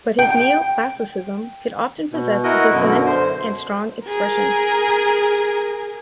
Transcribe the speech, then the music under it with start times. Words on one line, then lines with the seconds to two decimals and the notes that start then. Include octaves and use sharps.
But his neoclassicism could often possess dissonant and strong expression.
0.19 G5
2.12 B2
2.44 E4 F#4 A#4 D#5
2.73 F#2 B2 D3
3.06 C5
4.07 G#4 A#4